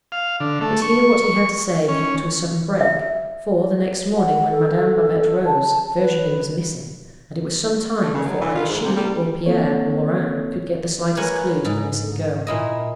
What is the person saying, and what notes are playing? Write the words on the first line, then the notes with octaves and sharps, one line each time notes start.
But here what he had to say came to a sudden break; for, the next morning, when Madame Babette rose, Virginie was missing, and it was some time before either she, or Pierre, or Morin, could get the slightest clue to the missing girl.
F5
D3
A3
C#6
C#4
E5
F#5
A4
A5
B4
A3
C#3
F#3
E3
F4
G#2
C3
G3
A#3 C4 A4 C#5
B3 A#4 C#5 F#5 G#5
G#2
A#2 E4 D#5